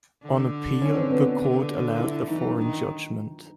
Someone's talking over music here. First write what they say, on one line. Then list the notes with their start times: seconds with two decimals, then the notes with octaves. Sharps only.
On Appeal the Court allowed the foreign judgment.
0.23 D3
0.82 C#4
0.96 C4
1.10 B3
1.40 D3
1.98 E4
2.27 E3 D#4
2.42 D#4
2.52 D4
2.57 D#3 D#4